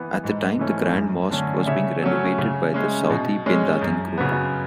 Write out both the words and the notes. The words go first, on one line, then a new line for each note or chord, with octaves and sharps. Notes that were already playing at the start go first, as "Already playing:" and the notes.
At the time the Grand Mosque was being renovated by the Saudi Binladin Group.
Already playing: E3 B3
G#2
E3 A3 C#4
F#2
D3 A3 C#4
C#3 C#5 E5
F#3 A3 C#4
C#3
G#3 C#4
B2
G#3 C#4
F#2
C#3 F#3 B3